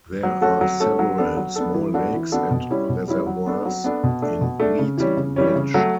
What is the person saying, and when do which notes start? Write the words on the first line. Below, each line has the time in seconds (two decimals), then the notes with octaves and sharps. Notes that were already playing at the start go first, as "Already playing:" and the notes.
There are several small lakes and reservoirs in Wheat Ridge.
0.23 F#3
0.41 A3 C#4 F#4 A4
0.61 F#3
0.80 A3 C#4 F#4 A4
0.99 F#3
1.18 B3 D4 A4
1.37 F#3
1.56 B3 D4 A4
1.74 E3
1.93 B3 D4 F#4 A4
2.13 E3
2.32 B3 D4 F#4 A4
2.51 B2
2.70 G3 C#4 E4
2.89 B2
3.08 G3 C#4 E4
3.26 F#3
3.46 B3 D4 A4
3.66 F#3
3.84 B3 D4 A4
4.04 B2
4.22 A3 D4
4.41 B2
4.60 A3 D4
4.79 C#3
4.97 E3 G3 C#4
5.17 C#3
5.36 E3 G3 C#4
5.55 C#3
5.74 F#3 A3